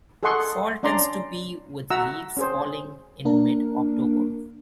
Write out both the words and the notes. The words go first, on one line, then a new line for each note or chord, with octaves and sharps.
Fall tends to be with leaves falling in Mid-October.
G#4 A4 D#5 F#5 C6 C#6
C#4 D4 D5 A#5 C6
F#4 E5 F#5 A#5 E6
C#4 G#4 C5
A#3 D4 A#4